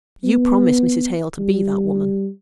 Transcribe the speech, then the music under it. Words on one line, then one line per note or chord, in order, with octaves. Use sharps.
You promised Mrs. Hale to be that woman!'
B3
G3